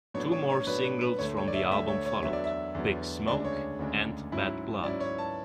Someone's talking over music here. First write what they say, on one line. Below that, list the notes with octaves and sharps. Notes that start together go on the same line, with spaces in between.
Two more singles from the album followed: "Big Smoke" and "Bad Blood".
A2 F#3 B3 D4 C#5
C#5
C#5
A2 F#3 B3 D4 B4
B4
B4
D2 D3 A3 C#5
C#5
D5
E5
D2 D3 A3 E5
C#5
C#5
E2 D3 F#3 E5
D5
E5
E2 D3 F#3
D2 C#3 G#3 D4 D5
C#5
D2 C#3 G#3 D4
G#2 F#3 C#4 E4
G#2 F#3 C#4 E4 D5
C#5
A5